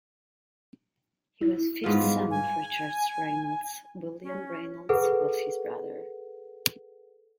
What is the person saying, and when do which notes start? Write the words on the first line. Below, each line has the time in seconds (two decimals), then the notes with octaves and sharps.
He was fifth son of Richard Rainolds; William Rainolds was his brother.
1.41 E4
1.84 G#2 B3 F4
2.03 G3
2.31 G#5
4.23 C#4
4.89 G#4 A4 B4 F#5